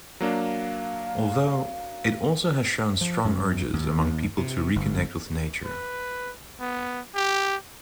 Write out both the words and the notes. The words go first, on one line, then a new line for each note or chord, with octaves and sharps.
Although, it also has shown strong urges among people to reconnect with nature.
F#3 A#3 D4 F5
F3
F#2
D#2
D#2
C3
G1
B4
B3
G4